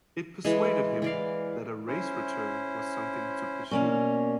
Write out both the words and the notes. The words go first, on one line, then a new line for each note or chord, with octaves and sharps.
It persuaded him that a race return was something to pursue.
E3 G#3
E3 D5 F5
C#4 E4 C5
B2 A#3 C#4 D5 G#5 C#6